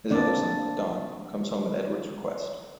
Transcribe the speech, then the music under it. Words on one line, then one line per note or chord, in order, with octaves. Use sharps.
His other son, Don, comes home at Edward's request.
A#3 C4 D4 D5